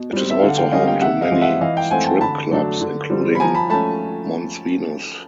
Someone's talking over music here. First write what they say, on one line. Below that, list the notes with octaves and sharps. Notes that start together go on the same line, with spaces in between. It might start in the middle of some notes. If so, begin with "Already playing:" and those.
It is also home to many strip clubs, including Mons Venus.
Already playing: B2
G3 C4
E5
D3 F5
F#5
F5 G5
G3 A#3 C#4 D#5 F5
F5 G5
C3 E5 F#5
D#5 F5
E3 G#3 C4
E5 F#5
E3 D#5 F5
F5 G5
A3 C4 F#5 G#5
G5 A5
D3 A5 B5
F#3 A3 D4
D3
G3 C4
B5
F3 G#5 A#5
A5 B5
A3 C#4 A5 B5